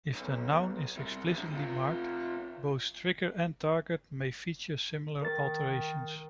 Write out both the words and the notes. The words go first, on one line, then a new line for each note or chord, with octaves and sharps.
If the noun is explicitly marked, both trigger and target may feature similar alternations.
B1
C3 G3
A2 D3
C3 F4
D#3 A#4 A6